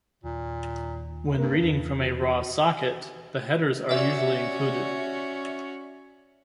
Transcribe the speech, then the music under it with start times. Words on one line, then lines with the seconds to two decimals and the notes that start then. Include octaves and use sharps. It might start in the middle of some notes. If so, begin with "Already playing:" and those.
When reading from a raw socket, the headers are usually included.
0.24 D#2 A#2
1.38 G2 A#3 A#4
1.62 E2
1.95 B2
3.89 C#4 F#4 D5 E5